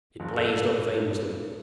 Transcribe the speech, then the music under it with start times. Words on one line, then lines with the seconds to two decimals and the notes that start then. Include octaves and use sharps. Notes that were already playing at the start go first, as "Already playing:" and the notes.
It blazed up famously.
0.20 F#1
0.36 A4